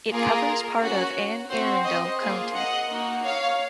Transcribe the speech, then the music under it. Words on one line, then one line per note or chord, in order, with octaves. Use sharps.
It covers part of Anne Arundel County.
A#3 F4 G#4 A#4
C#4 F#4
C4 F#4 C5
C5 D#5
A#3 F4 G#4
D#5 F#5
A#3 D#4 F#4
C#5 F5